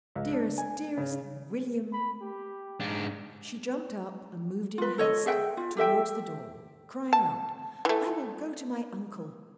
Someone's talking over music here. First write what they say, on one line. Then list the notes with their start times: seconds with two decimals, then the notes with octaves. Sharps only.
Dearest, dearest William!" She jumped up and moved in haste towards the door, crying out, "I will go to my uncle.
0.16 C#2
0.33 D4
0.58 G#5
0.97 C#3
1.93 B5
2.22 G4
2.80 G#2 D4
4.78 F4 B4
4.98 A4 C#5 D#5
5.26 G#4 E5 F#5 G5
5.57 F4
5.77 G4 A4 E5 G5
7.13 A5
7.85 E3 A3